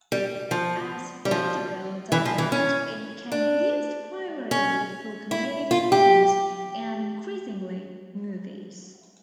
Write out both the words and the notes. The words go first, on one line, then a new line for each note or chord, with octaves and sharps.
As vaudeville died out, it became used primarily for community events, and increasingly, movies.
G3
F3
G3
F3
E3
F3
E3
C#4
D4
C#4
E4
F4
G4